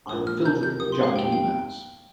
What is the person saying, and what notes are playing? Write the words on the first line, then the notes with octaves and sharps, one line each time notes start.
I'm filtering the junk emails.
A#1 A#2 F3 D#4 A#4 D#6
F6
C3 F3 D#4 G4 A#4 G6
G6
C3 F3 D#4 G4 A#4 D#6
C6
F5
F2 F3 D#4 G4 G5
G5